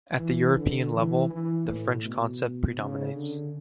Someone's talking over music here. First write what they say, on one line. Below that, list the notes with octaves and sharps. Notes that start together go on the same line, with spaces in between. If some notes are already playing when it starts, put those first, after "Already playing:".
At the European level, the French concept predominates.
E3
D3
E3
E3
A2
B2
C#3
D3